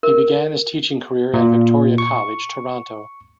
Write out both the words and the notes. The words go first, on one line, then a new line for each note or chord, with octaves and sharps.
He began his teaching career at Victoria College, Toronto.
A#4
A#2
C#6